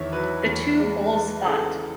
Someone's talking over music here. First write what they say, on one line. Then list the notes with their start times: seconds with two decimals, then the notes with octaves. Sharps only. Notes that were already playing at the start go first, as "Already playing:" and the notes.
The two bulls fought.
Already playing: E2 D#3 C#5 E5
0.12 F#3 B4
0.45 E2
0.79 G#3
1.13 G#3
1.46 C#3 A4